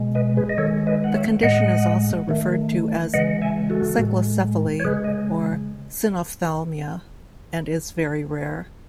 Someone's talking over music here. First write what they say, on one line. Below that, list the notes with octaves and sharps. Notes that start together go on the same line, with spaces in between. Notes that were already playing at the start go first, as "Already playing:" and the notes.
The condition is also referred to as cyclocephaly or synophthalmia, and is very rare.
Already playing: B2 G#3
B4 D#5
G#4 B4
D#5
D#3 G#3 A4 C#5
B4 D#5
F#5
C#5 E5
A2 G#3 D#5 F#5
D#3 A3
C#3 E3 G#3 D#5 F#5
E5 G#5
F#4 A4
A2 G#3
C#5
C#3 G#3 G#4 B4
D#5